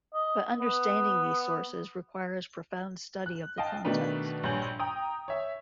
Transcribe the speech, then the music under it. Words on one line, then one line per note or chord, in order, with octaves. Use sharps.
But understanding these sources requires profound study of the context.
D#5
B3
F#6
D#5 F5 G5 A5
B2 D#3 A3 D4 D#4 B4
A#1 G2 C#5 G#5 G6 F#7
G5 A#5 D#6
C#5 E5